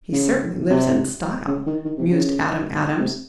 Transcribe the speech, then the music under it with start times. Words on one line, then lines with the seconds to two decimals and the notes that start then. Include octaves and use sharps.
"He certainly lives in style," mused Adam Adams.
0.13 C#3
0.70 C3
1.47 C#3
1.66 D#3
1.85 D#3
1.97 C3
2.11 C#3
2.99 C3